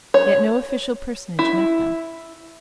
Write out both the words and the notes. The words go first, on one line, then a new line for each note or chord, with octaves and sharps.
Yet no official personage met them.
C#5
E4